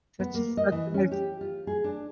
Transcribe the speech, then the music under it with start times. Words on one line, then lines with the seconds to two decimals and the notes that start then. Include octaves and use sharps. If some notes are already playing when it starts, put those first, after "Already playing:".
Such a such a nice
0.20 B3
0.35 A#3
0.57 D#5
0.72 E3
0.94 C#4
1.11 G4
1.41 F4
1.67 G#4
1.84 D4